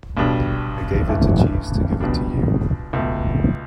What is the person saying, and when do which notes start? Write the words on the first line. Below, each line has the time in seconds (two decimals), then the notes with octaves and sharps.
I gave it to Jeeves to give it to you.
0.17 B1 B2 G3 D4
1.08 A1 G2 E3 A3
2.00 C#2 B2 G3 D4
2.93 C#2 B2 A3